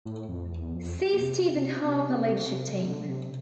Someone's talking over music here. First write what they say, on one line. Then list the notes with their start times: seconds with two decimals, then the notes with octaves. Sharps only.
See Stephen Harper Leadership Team.
0.05 A2
0.29 F2
0.52 E2
0.75 F2
1.13 A#2
1.22 C3
2.86 D3
3.09 C3